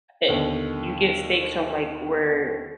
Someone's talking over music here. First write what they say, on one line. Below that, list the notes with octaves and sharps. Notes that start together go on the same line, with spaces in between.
it you get steaks from, like, where
D#2 B2 D3